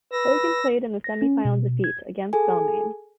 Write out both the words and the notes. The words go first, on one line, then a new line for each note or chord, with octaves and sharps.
Hogan played in the semi final defeat against Balmain.
B4 E6 A#6
A#6
C#4
B2
G#6
G#4 A4 G#5